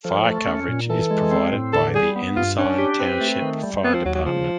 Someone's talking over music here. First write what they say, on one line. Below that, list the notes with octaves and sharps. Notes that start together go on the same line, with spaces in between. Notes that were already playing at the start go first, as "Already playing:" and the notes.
Fire coverage is provided by the Ensign Township Fire Department.
F3 A4
A3
C#4
A#2
E3 A4
G#3
C4
A2
D3 A4
G3 G#4
B3
G2 F4
C#4 D4
G4
C4 B4
A3
D#3
G3
B3 C4
F3
D#2 F#3
F#3
C#3 F3